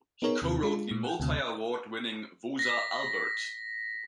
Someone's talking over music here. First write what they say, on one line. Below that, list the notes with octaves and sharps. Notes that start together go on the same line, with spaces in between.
He co-wrote the multi-award winning Woza Albert!
B3 D#4 G#4 A#4 C#5
D#2 C3
G#3 F4
A#2
F#5 G5
D2 C3
A#6 B6